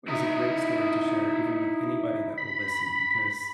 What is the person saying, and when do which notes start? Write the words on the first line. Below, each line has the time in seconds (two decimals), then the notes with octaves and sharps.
is a great story to share even with anybody that will listen because
0.08 D#4 E4 D#5
2.38 B5